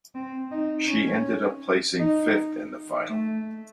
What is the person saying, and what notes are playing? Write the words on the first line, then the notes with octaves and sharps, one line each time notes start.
She ended up placing fifth in the final.
C4
D#4
C#4
D#4
A3